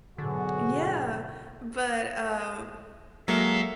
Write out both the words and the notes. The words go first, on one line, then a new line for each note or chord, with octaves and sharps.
Yeah, but, uh,
G#2 B2 D3 F#3 F#4 G#4
F#3 G#3 A#3 A4 E5 F5